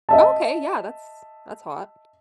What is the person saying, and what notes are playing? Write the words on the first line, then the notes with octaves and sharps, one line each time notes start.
Okay, yeah. That's that's hot.
D#5 E5 A5